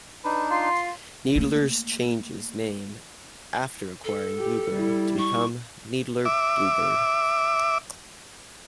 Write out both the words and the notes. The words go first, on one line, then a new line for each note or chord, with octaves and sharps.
Needler's changes name after acquiring Blue Bird to become Needler Bluebird.
D4 D#4 B4
F4 C6
A3 A#3
A4
G4
G3 E4
C#6
E5 D6